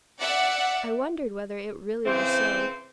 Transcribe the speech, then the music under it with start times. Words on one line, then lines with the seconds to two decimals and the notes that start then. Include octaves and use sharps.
I wondered whether it really were so.
0.20 D5 E5 F#5
2.06 C#3 E3 C4 C5